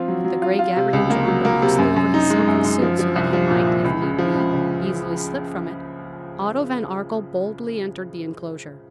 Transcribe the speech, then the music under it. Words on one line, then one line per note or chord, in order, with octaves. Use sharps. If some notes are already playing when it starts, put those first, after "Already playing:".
With the gray gabardine drawn but loosely over his silken suit, so that he might, if need be, easily slip from it, Otto von Arkell boldly entered the inclosure.
Already playing: F3 C4 F4
F#3
F#3
F4
F4
C3
C#2
A#3
F#3
A#3
C3
F#2
F#2
D#4
G#3
F#2
F#2
F3
F3
C2
F3
A#2
C2
C#2
C#3
F3
C#2
C#2